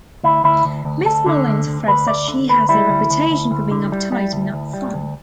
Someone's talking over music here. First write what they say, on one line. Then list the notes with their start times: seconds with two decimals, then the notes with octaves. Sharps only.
Miss Mullins frets that she has a reputation for being uptight and not fun.
0.23 D2 E4
0.44 D2 E4
0.65 D2
0.85 D2
1.05 D2 A4
1.26 D3
1.47 D2
1.67 D2
1.88 D2 B4
2.08 D2 D5
2.28 D3
2.49 D2 B4
2.69 G3 E4
2.89 D2
3.10 D2
3.30 D2
3.51 D2
3.71 D3
3.92 G3
4.12 G3
4.33 D2
4.53 D2
4.74 G3
4.94 D2